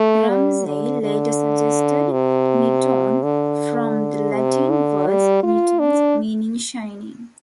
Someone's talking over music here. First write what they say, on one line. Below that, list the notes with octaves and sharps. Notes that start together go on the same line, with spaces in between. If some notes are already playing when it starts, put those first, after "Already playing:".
Ramsay later suggested "niton", from the Latin word "nitens" meaning "shining".
Already playing: A3
G3
D3
D3
C3
D3
C3
D3
G3
F4
D4